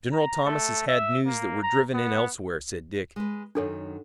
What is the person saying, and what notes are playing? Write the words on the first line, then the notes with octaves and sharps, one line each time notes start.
"General Thomas has had news that we're driven in elsewhere," said Dick.
A#5
A3
E5
A#3
A#5
B3
G#3 B4
F#2 D#3 F#3 D4 A4 C#5